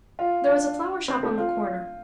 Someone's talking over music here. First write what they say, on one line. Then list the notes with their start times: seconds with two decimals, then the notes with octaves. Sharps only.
There was a flower shop on the corner.
0.19 F4
0.47 D4
1.08 C4
1.23 A3
1.38 F4